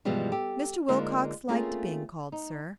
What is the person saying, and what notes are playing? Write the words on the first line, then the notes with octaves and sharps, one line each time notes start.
Mr. Wilcox liked being called sir.
G2 B2 E3 F3 G3 G#3
G4 A4
D3 G#3 A#3 D#4 F4 C5
A3 A#3 C4 C#4 F4 G#4
D#4